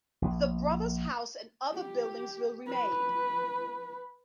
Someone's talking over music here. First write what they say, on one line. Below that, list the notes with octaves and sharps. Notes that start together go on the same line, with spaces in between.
The brothers' house and other buildings will remain.
A#1
G4
B4